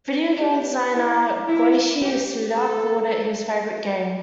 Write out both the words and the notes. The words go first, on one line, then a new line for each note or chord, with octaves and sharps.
Video game designer Goichi Suda called it his favourite game.
G4
E4
E4
G4
A4